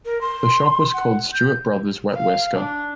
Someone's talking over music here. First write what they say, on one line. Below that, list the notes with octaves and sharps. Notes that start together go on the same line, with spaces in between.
The shop was called Stewart Brothers Wet Whisker.
A#4
C6
F#5
G6
F5
D4